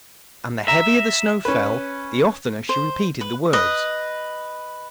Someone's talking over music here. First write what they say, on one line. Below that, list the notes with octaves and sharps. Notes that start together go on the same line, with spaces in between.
And the heavier the snow fell the oftener she repeated the words.
E5 A#5
C#4 B4
C5
B4
B4 D#5